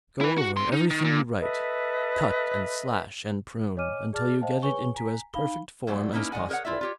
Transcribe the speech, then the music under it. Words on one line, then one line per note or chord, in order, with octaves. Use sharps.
Go over everything you write, cut and slash and prune until you get it into as perfect form as possible.
E4 B4
F#4
C3 C6
D#4
D#3
A#2
A4 B4 D#5 E5
C#5 D#5 G#5 D6 F6 D#7
G#4 D5 A5 D6 F6 A6
C5 D#5 F5 G5 A5
G#4 B4 C#5 G#5 C#6 G7
G#5 A#5 B6
D#4 F5 B5 G7
A#2 F#3 G3 A3
A#3 C#4 D#4 E4 B4
D#3 G#3 D5 F#5 G#5
G#4 A#4 C5 C#5 F#5
E4 F4 D5 E5
F4 G4 C#5